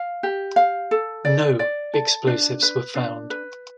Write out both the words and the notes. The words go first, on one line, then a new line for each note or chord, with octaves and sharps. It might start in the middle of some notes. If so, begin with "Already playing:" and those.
No explosives were found.
Already playing: F5
G4
F5
A4
D5
D5
A4
D4
B4
D4
B4